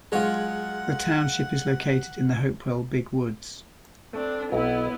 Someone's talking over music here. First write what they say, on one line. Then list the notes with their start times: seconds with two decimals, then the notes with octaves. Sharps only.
The township is located in the Hopewell Big Woods.
0.12 F#3 G#3 F4 G#4 C#5 F#5
4.13 A3 C4 D4
4.52 B1 B3 E4